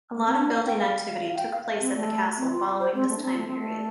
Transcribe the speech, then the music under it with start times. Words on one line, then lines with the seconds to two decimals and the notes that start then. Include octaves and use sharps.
A lot of building activity took place at the castle following this time period.
0.15 A3
0.26 C4
0.38 D4
0.52 F5
0.66 G5
0.80 F5
1.23 F5
1.33 F5
1.37 G5
1.52 F5
1.80 C4
1.95 A3
2.37 C4
2.52 F4
2.80 C5
2.95 C4
3.09 A3
3.18 D4
3.23 C4
3.37 A3
3.47 C4
3.58 A3